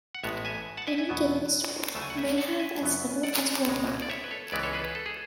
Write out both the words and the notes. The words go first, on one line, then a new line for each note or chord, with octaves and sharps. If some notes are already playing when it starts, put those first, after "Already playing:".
Any given series may have as little as one model.
F#5
A1 A2 G#3 B3 C#5 E5
E5 G#5
F#5 A5
E5 G#5
E5 G#5
E2 B2 F#3 B3
D2 C#3 F#3 A3 A5
G#5
F#5
E5 G#5
F#5 A5
F#5
E5 G#5
F#2 C#3 F#3 B3
D5 F#5
C#2 B2 G#3
D5
C#5 E5
B4
A4 C#5
C#2 C#3 E3 G#3 B3 B4 D5
A4 C#5
G#4 B4
B4
A4
G#4